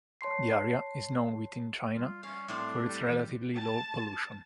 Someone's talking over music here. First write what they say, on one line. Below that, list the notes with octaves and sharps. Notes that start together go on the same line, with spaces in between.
The area is known within China for its relatively low pollution.
C#5 A5 C6 C7
G3 F4
C#4 F5
A2 C4 D4 F5
G3 F#6
E3
A5